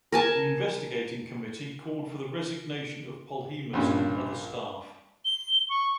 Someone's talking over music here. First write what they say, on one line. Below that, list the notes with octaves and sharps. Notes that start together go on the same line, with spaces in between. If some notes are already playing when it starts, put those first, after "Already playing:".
The investigating committee called for the resignation of Polhemus and other staff.
A#4 G#5 A5
A#1 G2 C#4
G7
C#6